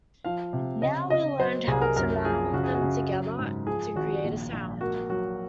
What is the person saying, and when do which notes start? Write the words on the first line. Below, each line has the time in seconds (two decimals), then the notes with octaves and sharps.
Now we learned how to meld them together to create a sound.
0.25 F3 F5
0.53 C3
0.82 C#3 D#5
1.10 C#3 D#5
1.39 F#3 C5
1.67 C2 G#4
1.82 A#4
1.96 F#2 A#4
2.25 F3 G#4
2.53 C#3 F#4
2.64 G#4
2.75 F#4
2.82 C#3
3.10 F#3
3.39 G#2
3.67 F3 G#4
3.96 G#1 F#4
4.24 A#1
4.52 A#1
4.81 A#3 F#4
5.09 F#3 F#4